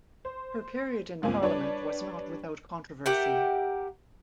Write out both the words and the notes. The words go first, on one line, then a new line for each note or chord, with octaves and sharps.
Her period in parliament was not without controversy.
C5
G1 C#2 A#3 C4 G#5
G3 D4 B4 C#5 D5
G4 A#4 E5 F#5